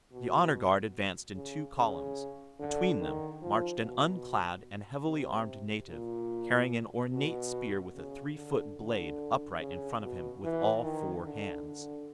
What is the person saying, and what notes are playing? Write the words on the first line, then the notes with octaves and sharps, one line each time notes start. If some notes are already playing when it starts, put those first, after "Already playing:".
The honor-guard advanced in two columns; between them marched an unclad and heavily armed native carrying an ornate spear with a three-foot blade upright in front of him with all four hands.
B2
C#3
C#3
D3
D#3
F3
B2
C3
A#2
B2
C#3
D3
D3
C#3
B2
E3
D#3
D3
D3